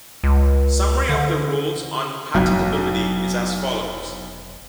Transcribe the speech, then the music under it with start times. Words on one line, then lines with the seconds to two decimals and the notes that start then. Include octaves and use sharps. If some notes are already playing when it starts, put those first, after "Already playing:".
Summary of the rules on patentability is as follows.
0.24 C#2
1.09 D3
2.34 F1 B1 F#3